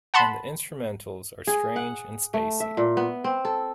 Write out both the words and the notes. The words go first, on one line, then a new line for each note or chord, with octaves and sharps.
And the instrumentals are strange and spacey.
F#5 A5 B5 C6
G#4
F#5
A3
E5
A#2
B3
C4
A4